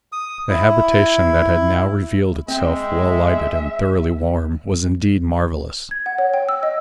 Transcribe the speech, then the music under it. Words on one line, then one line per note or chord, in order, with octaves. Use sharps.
The habitation that had now revealed itself, well lighted and thoroughly warm, was indeed marvelous.
D#6
E4
G#3 C4 E5 G5
G#6
F#5
C#5
G5
E6
D#5